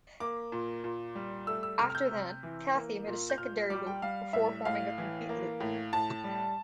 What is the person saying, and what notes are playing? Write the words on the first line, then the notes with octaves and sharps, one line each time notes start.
After then, Kathy made a secondary loop before forming a complete loop.
A#3 D6
A#2
A#2
G3
A3 E6
E6
C3 F6
F6
G6
C3
E3
A#3
A#2
G6
A#2 F6
G3 D6
G5
G3 F5
A2 E5
A2 F5
E3
A#3
A2
A2 A5
G3